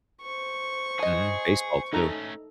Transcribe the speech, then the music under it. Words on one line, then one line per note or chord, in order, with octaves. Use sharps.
Mhm, baseball too.
C5 C#6
G#4 D#5 A5
A3 C#4 D#4 A4 A#5